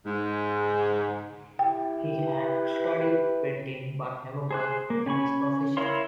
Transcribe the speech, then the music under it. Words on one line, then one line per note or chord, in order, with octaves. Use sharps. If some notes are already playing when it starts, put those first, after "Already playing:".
He had studied printing, but never worked in this profession.
G#2
E4 G4 G5
B4
G#4 C5 F#6
A#3
C#4 G#5 B5 C#6
E4 A#4 C#5 F5 C6